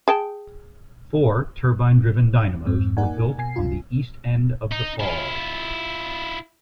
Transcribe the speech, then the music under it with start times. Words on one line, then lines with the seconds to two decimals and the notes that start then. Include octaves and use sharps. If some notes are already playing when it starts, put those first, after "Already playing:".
Four turbine driven dynamos were built on the east end of the falls.
0.08 G#4 G5 A5
2.66 F2 G#2 C4
2.97 A#3 D#4 A#4 D5 F#5 G#5
3.38 B2 G#5 C7
3.56 C#2 C3 F4
4.72 D#4
5.00 E4 F4